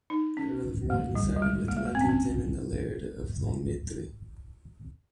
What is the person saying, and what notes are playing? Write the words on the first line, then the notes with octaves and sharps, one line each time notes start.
The Earl of Morton sided with Lethington and the Laird of Longniddry.
D#4
C#4
A#3
G3
G3
G#3
A#3
G#3
A#3
C4
C#4
C4